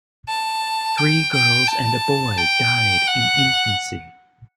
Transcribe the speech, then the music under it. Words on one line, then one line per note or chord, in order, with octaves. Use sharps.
Three girls and a boy died in infancy.
A5
G5
G5
A5
G5
F#5